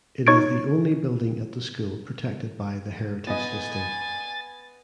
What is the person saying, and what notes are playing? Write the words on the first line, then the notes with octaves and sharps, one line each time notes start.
It is the only building at the school protected by the heritage listing.
D#4 C#5 C#6 G#6 A6 D7
B3 D#5 G#5 A6